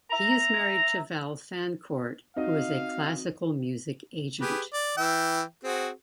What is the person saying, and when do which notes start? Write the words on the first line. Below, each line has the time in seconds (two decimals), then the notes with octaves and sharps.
He is married to Val Fancourt, who is a classical music agent.
0.11 E5 A#5
2.37 C4 D#4 F#4 D#5 F5
4.41 G4 G#4 B4
4.73 D5
4.97 E3 E5 G5
5.64 C4 F#4 G#4